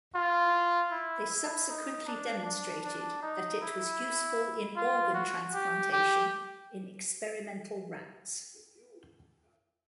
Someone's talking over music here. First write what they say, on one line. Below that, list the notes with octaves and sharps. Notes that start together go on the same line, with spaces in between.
They subsequently demonstrated that it was useful in organ transplantation in experimental rats.
F4
E4
E4
D#4
D4
D4
D4
D#4
E4
F4
F#4
G4
G4